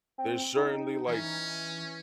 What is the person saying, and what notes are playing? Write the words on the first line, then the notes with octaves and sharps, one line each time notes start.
there's certainly, like,
C4
D#4
E3 C#4